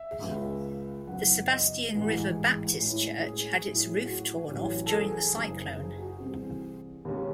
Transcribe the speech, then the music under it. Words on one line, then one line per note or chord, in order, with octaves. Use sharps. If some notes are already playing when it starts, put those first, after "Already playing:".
The Sebastian River Baptist Church had its roof torn off during the cyclone.
Already playing: E5
C#2 C#3 G#3
F#1 E2 C#3 F#3 F#5
D#5
A1 G#2 E3 G#3
A2 G#3 C#4 E4
G#4
A2 F#3 C#4 E4
F#4
A1 A2 F#3 C#4
A4
G#4
F#1 F#2 C#3
G#4
F#4
C2 C3 E3 C4 G#4
D#2 D#3 G#3 C#4